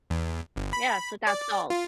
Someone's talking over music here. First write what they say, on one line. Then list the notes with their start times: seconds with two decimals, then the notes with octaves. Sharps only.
Yes, without salt.
0.10 E2
0.56 G1
0.73 B5
1.27 D5
1.70 F4